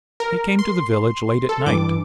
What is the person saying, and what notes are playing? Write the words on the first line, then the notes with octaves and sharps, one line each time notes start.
He came to the village late at night.
A#4
C6
A4
G2 E3 D6